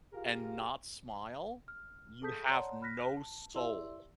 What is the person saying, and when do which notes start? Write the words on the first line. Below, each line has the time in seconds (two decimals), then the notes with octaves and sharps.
and not smile, you have no soul.
0.14 F4 G4 G#4 A#4 F5
1.68 F6
2.22 G#4 A4 A5 D#6 G6 B6
2.51 C#5 D5 F#5 A5 A#5 C6
2.82 B5 F6 F#6 A#6 B6
3.17 A5
3.54 E4 G4 D5 E5 C6 E6